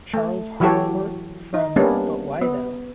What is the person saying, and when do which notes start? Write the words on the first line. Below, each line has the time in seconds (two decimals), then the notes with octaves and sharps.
Charles Hartford from "But Why Tho"?
0.14 A3
0.60 E3 F#3 F#4 G4 A4 C#5
1.54 D#4
1.76 G3 A#3 B3 C#4 D4
2.41 B3